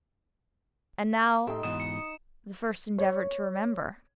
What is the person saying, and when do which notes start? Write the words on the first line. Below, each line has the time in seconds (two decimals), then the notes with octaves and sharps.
And now the first endeavor to remember.
1.47 A2 D#4 G4 A4 E5 C6
1.63 G#2 B2 E3 D#6 E7
1.80 C#7
2.98 C#5